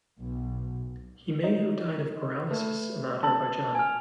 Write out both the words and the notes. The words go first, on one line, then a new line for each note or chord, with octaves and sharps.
He may have died of paralysis in Adharbayjan.
B1
D#4
A3 B4
A5 E6 F#7
G#5 F6